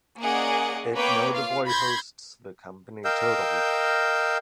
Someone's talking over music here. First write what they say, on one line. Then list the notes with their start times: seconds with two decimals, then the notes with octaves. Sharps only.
It notably hosts the company Total.
0.20 A#3 C#4 G#4 D5 D#5 F#5
0.95 A#3 B3 B4 C#5 G5 D6
1.32 F4 F5
1.67 B5 C6 G6 G#6 A#6
3.05 A#4 D#5 F5 G5 E6 G6